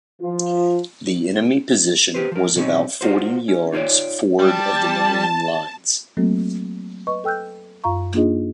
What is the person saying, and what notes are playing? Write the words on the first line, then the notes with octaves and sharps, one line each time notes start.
The enemy position was about forty yards forward of the Marine lines.
F3 F4
G4 B4 C5
F3 A#4
B2 F#3 C4 C#4 D#4
F4 F#4 C5
C#4
D#4 F4 A4 C#5 D5
G3 A5
F#3 A3 A#3 C4 F#4 A4
B4 D#5 C#6
A4 G5 E6 F#6 G6
F#2 F4 F5 A#5 C#6
A#3 D4 D#4 F4 G#4 D#5